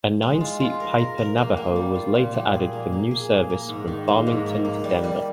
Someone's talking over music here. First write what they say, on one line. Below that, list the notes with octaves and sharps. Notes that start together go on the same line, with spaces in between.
A nine-seat Piper Navajo was later added for new service from Farmington to Denver.
G#3
F4
F4
A#4
A#4
A#4
A#3
A#3
G3
F4
A#2
G3
G#4
A#3
A#3
G#4
A#3
A#3
G#2
D#3
A#3
G#2
A#3
A#3
G3
G3